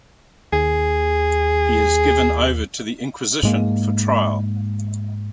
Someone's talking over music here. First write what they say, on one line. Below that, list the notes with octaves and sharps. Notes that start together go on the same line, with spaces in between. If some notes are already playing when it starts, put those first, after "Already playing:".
He is given over to the Inquisition for trial.
D#2 G#4
G#2 G#3 A#3